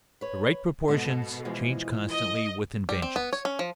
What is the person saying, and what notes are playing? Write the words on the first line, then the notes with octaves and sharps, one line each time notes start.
The right proportions change constantly with inventions.
B4 C#5
G#2 B2 B3 A4
E3 F3 G#3
D#5
G3
C4
B3
C#5
C#4
F3